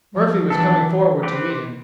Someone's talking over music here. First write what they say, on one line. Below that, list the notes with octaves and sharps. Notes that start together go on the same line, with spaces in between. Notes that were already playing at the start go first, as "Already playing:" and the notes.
Murphy was coming forward to meet him.
F3
E3 B3 D4 A4
C4 G4 B4